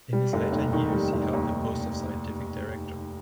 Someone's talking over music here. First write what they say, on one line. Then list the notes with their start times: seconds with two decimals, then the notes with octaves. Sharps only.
In his later years he held the post of scientific director.
0.13 G3
0.33 F1
0.52 D#2
0.73 D#3
0.93 G3
1.13 F1
1.33 D#2